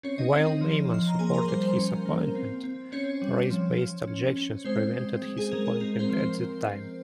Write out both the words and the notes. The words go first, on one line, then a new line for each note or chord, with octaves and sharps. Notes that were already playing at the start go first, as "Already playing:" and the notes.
While Neyman supported his appointment, race-based objections prevented his appointment at that time.
C4 C#4 C#5
D#4 D#5
C4
D#4 D#5
F3
F3 C6
A#5
A#3 G#4 G#5
C6
A#4 A#5
G3 C5 C6
C5 C6
C#4
A#3
C4
C4
C4 C#4 C#5
G3
F3
F3
C#4
C#4
G#3 C4 C5
G#3
G#3
G#4
G#3 A#4
G#4
C4 A#4
C4 C5
F3
C4 C5
F3
C4